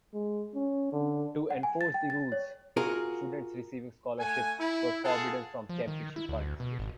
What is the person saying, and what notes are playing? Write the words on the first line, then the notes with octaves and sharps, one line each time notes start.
To enforce the rules, students receiving scholarships were forbidden from championship participation.
G#3
C#4
D3
F#5
G#5
A6
G5
A6
C#5
F4 F#4 G#4 A#4
A3 F#5 G#5
E4
F4 G#4 A4 F#5 A5
F3
D#3
E4
D2
B2
G#1